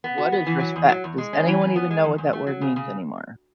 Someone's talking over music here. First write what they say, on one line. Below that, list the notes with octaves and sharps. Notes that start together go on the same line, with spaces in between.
What is respect? Does anyone even know what that word means anymore?
B3
F#4
B3
E3
F#3
E2
F#3
E2
G#3
C#4
E3
C#4
B3
G#3
E2
E2
A3
F#3
C#3
C#3